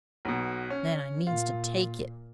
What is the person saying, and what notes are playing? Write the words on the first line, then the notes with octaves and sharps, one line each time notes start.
"Then I means to take it."
B1 B2
C#4
A#2 F4